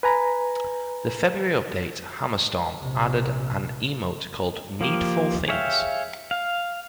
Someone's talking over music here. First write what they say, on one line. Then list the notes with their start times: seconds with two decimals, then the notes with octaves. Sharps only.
The "' February update, "Hammer Storm", added an emote called "Knee-dful Things.
0.03 B4 G#5 A#5 B5
2.79 A#1 C3
4.81 F3 A#3 G4
5.48 G#4 C#5 E5 F5 G5
6.31 F5